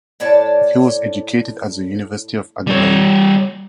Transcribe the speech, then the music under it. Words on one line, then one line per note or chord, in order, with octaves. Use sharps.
He was educated at The University of Adelaide.
A2 C#5 D5 A5
G3 C#5